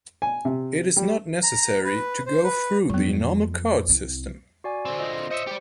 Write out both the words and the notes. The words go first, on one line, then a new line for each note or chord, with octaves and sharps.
It is not necessary to go through the normal court system.
G#5
C3
G3
A#5
B4
C5
B4
F2 F#3 B3
C2 C4
F#4 D5 G#5
D3 C4
F4 D#5
C5 D#5 E5 C#7
G4 D5